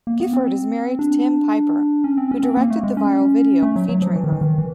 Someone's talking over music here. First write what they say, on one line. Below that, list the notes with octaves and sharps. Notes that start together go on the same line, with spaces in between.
Gifford is married to Tim Piper, who directed the viral video featuring her.
A#3
B3
C4
D4
C#4
C4
C#4
C4
A#3
A3
G#3
C#4
A3
F#3
F#3
F3
E3
D#3
E3
D#3
E3